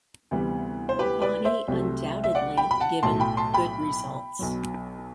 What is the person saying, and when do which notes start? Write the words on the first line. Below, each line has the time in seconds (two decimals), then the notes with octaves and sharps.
Vanni undoubtedly given good results.
0.31 D2 C3 E3 G3 B3
0.89 C5
0.99 G4 B4
1.22 B4 D5
1.45 C5 E5
1.68 C2 C3 F#3 A3
2.24 E5
2.35 D5 F#5
2.57 G5 B5
2.71 B5
2.80 F#5 A5
3.03 B1 A2 F#3 A3 A5 C6
3.20 G5 B5
3.37 A5 C6
3.54 G5 B5
4.39 B1 B2 F#3